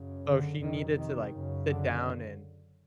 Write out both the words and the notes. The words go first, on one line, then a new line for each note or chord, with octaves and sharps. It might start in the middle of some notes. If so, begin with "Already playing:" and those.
so she needed to, like, sit down and
Already playing: F#2 C#3
D3
F2 C3 D#3
D#3
F#2 C#3
D3